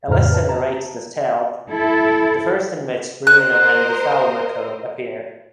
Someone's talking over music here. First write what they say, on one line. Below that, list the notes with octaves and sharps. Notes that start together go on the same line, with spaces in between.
Elissa narrates this tale, the first in which Bruno and Buffalmacco appear.
F2 A2 C#3 C5 A#5 F6
B4 A5
A5 A#5
E4 A4
A#4 C5 D#5 F#6